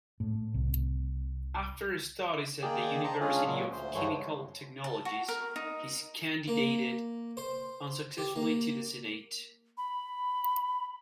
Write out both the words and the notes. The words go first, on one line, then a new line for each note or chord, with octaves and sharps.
After studies at University of Chemical Technologies he candidated unsuccessfully to the Senate.
A2
C2
D#3 A#3 G#4 D5 G5
C5 A5 A#5
G#3 C#4 D4 F4 G#4
A#2 F#3
D2 C5
G2 D3 E3 G#3 C5 C#5
A5
F#4
A#4
D#4
A#3
C5
G4
A#3
B5